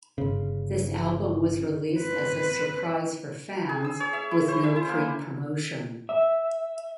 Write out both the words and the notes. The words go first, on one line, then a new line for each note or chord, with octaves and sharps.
This album was released as a surprise for fans, with no pre-promotion.
G1 C#3
C4 B4
G#4
E6
C#5
E5
E4
C5
E5
E4
A#3
E5